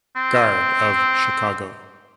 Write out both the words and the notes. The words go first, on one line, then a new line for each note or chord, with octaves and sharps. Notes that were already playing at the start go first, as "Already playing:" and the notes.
Gard of Chicago.
C4